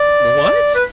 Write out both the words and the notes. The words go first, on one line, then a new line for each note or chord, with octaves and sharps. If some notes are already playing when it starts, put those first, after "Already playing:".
"the what?"
Already playing: D5
B4